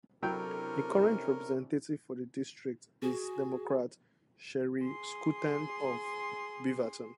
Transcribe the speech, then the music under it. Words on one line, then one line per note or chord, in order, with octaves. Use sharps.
The current representative for the district is Democrat Sheri Schouten of Beaverton.
C3 F#3 C#4 D4 E4 A4 A#4 G5
F#4 G#4
G#4 C6